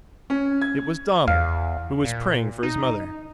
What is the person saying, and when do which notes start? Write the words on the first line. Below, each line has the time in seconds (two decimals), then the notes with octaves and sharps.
It was Donald who was praying for his mother.
0.30 C#4
0.62 G#6
1.28 E2 F5
2.05 A#2
2.63 D#4